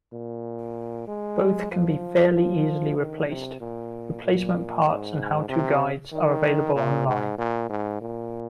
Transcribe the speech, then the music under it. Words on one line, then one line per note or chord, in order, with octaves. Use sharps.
Both can be fairly easily replaced; replacement parts and how-to guides are available online.
A#2
G#3
F3
F3
D#3
C3
A#2
A#2
G#2
C3
D#3
A#2
G#2
A#2
G#2
A#2